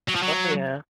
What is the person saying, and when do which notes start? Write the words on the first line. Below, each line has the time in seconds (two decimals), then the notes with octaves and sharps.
Oh, yeah.
0.08 F#3
0.15 F3
0.22 F#3